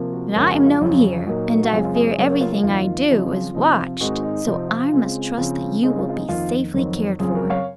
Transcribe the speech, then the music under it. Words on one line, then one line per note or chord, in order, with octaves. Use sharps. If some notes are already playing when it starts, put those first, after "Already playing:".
"But I am known here, and I fear everything I do is watched. So I must trust that you will be safely cared for."
Already playing: C3 F3 A#3
F#4 A#4
F2 C#3 G#3 A#4 C#5
F#4 A#4
F4
F2 C#3 F#3 C4
A#2 F#3 A#3 D#4 F#4
F#4
F#2 C#3 G#3 C4 F4
F4
F4 G#4
G#4 C5
C#3 F#3 A#3 A#4 C#5
A#4 C#5
F4
F4
F2 D#3 A#3 F4
C#3 F3 C4 D#4
F4
C3 F3 C4 D#4
F4
G#2 D#3 G#3 C4 D#4 F#4
D#4
C3 F3 C4 D#4
F4
C#3 G#3 C4
C#3 F3 C4
C#3 G#3 C4 D#4
F4
F4
D#4
F2 D#3 A#3 F4
F2 D#3 F#3 C4
F#2 C#3 F#3 C4 F4 G#4
F#4 A#4
C#5 F5